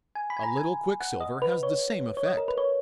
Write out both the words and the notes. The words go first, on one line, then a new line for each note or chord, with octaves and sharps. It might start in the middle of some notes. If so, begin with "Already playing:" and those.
A little quicksilver has the same effect.
G#5
B5
G#5
A#5
G#5
F#5
D#5
B4
C#5
C#5
D#5
A#4
B4
C#5